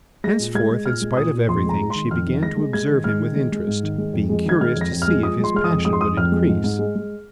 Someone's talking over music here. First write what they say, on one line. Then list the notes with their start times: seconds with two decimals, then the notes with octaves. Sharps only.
Henceforth, in spite of everything, she began to observe him with interest, being curious to see if his passion would increase.
0.24 G#3 A#6
0.39 A#2
0.55 G#3 G#6
0.71 G#3
0.86 A#2 F6
1.02 G#3
1.17 A#2 D#6
1.33 A#2
1.48 F2 C6
1.64 G#3 A#5
1.79 G#3
1.90 C6
1.95 D#3
2.11 F2 F6
2.27 D#3
2.42 G#3 A#6
2.57 G#3
2.73 G#3 G#6
2.90 D#3
3.04 G#3 F6
3.20 D#3
3.36 G#3
3.52 G#3
3.67 G#2
3.83 D#3
3.98 G#3
4.13 F2
4.29 G#3
4.45 D#3 G#6
4.61 G#3 F6
4.76 F2 A#6
4.92 F2
5.02 F6
5.07 G#3
5.23 F3 D#6
5.39 G#3
5.44 C6
5.54 G#3 F6
5.64 D#6
5.69 F2
5.85 G#3 D#6
5.93 C6
6.01 F2 D#6
6.17 F2 F6
6.32 G#3
6.48 G#2
6.64 G#2
6.79 G#3
6.95 G#3